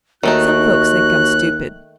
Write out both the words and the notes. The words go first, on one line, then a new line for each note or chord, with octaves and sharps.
Some folks think I'm stupid.
D#2 D#3 A3 D#4 F#4 F#6